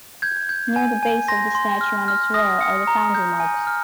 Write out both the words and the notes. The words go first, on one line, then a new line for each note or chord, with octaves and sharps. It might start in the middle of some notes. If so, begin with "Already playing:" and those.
Near the base of the statue on its rear are the foundry marks.
G6 G#6
G6
G#5
G#5
C6 A#6
C6
F6
F6
D#6 A#6
D#6 C#7
A#5
G6
G#5
F6